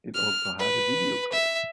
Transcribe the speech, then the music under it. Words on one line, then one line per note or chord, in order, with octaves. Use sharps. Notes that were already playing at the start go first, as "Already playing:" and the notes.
It also had a video clip.
F6
B4
E5